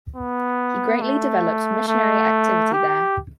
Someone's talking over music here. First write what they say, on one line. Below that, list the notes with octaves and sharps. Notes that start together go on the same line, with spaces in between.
He greatly developed missionary activity there.
B3
A3
A3
G4